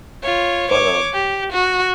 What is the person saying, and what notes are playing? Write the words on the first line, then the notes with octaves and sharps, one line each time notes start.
but, um,
F4 C#5
C#5 D6
G4
F#4